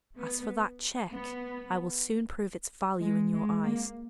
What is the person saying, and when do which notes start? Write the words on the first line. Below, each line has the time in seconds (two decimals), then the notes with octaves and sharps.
As for that check, I will soon prove its value in your eyes.
0.17 B3
1.12 B3
3.01 G#3
3.33 G#3
3.64 A#3